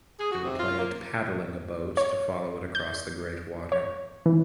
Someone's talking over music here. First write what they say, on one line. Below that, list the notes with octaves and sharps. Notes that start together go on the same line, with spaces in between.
They will play at paddling a boat to follow it across the great water.
G#4
F#4
C3
F4
A#3
C#5
G6
C#5
E3